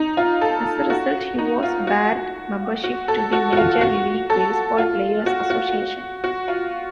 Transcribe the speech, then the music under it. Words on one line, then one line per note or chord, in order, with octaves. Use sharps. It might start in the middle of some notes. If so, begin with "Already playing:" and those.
As a result, he was barred membership to the Major League Baseball Players Association.
Already playing: D#4
F4
A4
F#4
D#4
F4
F#4
F#4
A4
F#4
F#4
F4
F#4
A4
F4
F#4
F#4
F#4
F4